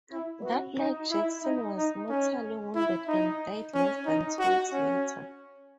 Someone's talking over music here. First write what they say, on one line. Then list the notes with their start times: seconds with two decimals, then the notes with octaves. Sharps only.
That night, Jackson was mortally wounded and died less than two weeks later.
0.13 E4
0.45 F#4
0.78 D#4
1.11 E4
1.43 D#4
1.77 D#4
2.09 C#4
2.75 E4
3.08 D#4
3.74 C#4
4.06 D#4
4.39 F#4
4.72 C#4